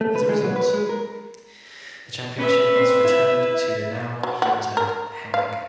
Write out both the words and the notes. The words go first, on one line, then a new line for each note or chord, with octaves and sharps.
As a result, the championship was returned to the now heel-turned Hennig.
A3
B4
G#3
F#3
B4
G#3
A#4
C#4 B4 E5
C4
E4
F#3
F#4
A#4
F5